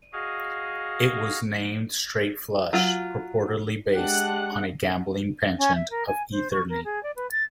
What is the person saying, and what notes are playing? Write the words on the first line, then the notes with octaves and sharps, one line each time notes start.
It was named "Straight Flush", purportedly based on a gambling penchant of Eatherly.
F#4 G#4 D#5 F5
F#3 F4
G#3 D4 G4 F#5 F#6
C#4
E5
A#4
G#5
C5
C#6
A#4
G#4
D5
B4
A6